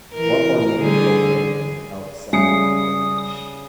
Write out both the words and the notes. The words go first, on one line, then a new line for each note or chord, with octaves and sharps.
what more meaningful thing than to help somebody finish
E3 A#4
D3 G3 G#4
C#3 G3 E5 G#5 D#6 C7 C#7